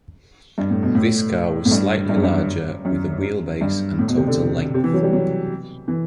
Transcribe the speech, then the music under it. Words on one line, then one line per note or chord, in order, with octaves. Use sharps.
This car was slightly larger with a wheelbase and total length.
G2
A2
B2
A2
A2
G2
G2
F#2
G2
F#2
G2
A2
B2
C3
D3
C3
E3
F#3
G3
F#3
E3